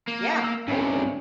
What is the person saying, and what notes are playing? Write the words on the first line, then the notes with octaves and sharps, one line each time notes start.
Yeah, totally.
A#3
E6
G2 C3 C#4